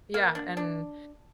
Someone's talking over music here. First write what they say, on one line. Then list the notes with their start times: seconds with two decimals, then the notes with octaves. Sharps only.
Yeah, and
0.14 A#3
0.35 D4
0.57 D4